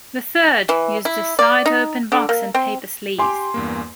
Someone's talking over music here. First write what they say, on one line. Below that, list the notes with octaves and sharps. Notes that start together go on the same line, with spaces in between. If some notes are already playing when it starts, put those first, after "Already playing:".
The third used a side-open box and paper sleeves.
E3
E4
D5
D#4
D3
A#3
C4
G4 G#5 C6 D6
E2 G2 A#3